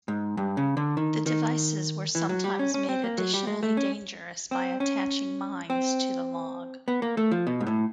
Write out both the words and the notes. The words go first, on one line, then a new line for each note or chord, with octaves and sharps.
The devices were sometimes made additionally dangerous by attaching mines to the log.
G#2
G2
C#3
D3
D#3
D#3
E3
F#3
G3
C#4
C#4
C4
A#3
F#3
G3
G#3
A3
C#4
C4
C#4
C4
B3
A#3
A3
F3
B2
G#2
A2